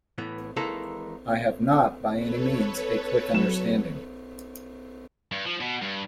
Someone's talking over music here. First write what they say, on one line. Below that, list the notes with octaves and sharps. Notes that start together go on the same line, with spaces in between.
I have not by any means a quick understanding.
A2 E3 B3
D#3 E3 G#3 A#3 D#4 A4
A4 B4 C#5
F#3 E7
G2
F3
B2
G2